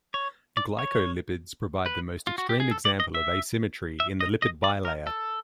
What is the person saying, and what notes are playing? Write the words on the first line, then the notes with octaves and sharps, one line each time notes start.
Glycolipids provide the most extreme example of asymmetry in the lipid bilayer.
C#5
D5
C#5
B4
F4
F#4
G4
G#4
A4
D5
D#5
E5
E5
D#5
D#5
D5
A#4
A4